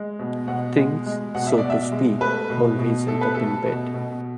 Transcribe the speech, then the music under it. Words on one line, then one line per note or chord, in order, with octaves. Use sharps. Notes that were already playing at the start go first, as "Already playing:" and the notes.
Things, so to speak, always end up in bed.
Already playing: G#3
B2
B2 F#5
G#3
G#3
B2 F#5
E5
D5
B2
E5
G#3
A3 B4
B2
B2
A3 A4
B4
A3 A4
B2
B2